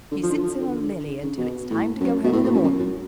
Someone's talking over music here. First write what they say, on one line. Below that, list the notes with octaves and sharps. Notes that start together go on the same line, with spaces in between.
She sits in a lily until it is time to go home in the morning.
D3
F3
D3
F3
D3
D3
D3
C#3
B2
A2
F#2
B2
A2
A2
F#2
F#2
F#2